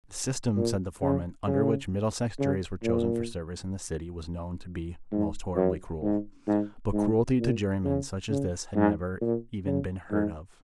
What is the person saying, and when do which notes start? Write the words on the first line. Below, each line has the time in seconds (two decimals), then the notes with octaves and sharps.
The system, said the foreman, under which Middlesex juries were chosen for service in the City was known to be most horribly cruel;--but cruelty to jurymen such as this had never even been heard of.
0.57 A#2
1.01 C#3
1.47 C#3
2.39 C#3
2.83 A#2
5.11 G#2
5.56 F#2
6.03 G#2
6.47 G#2
6.93 G#2
7.39 A#2
7.84 C#3
8.30 C#3
8.76 G#2
9.21 A#2
9.66 C#3
10.11 G#2